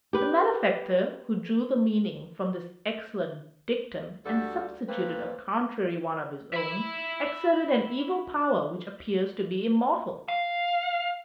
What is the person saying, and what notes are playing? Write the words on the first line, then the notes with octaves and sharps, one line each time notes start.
The malefactor who drew the meaning from this excellent dictum and substituted a contrary one of his own exerted an evil power which appears to be immortal.
G4 B4
D2 G3 F#4 A4
A3 A#3 C4 B4
E5 B5
F5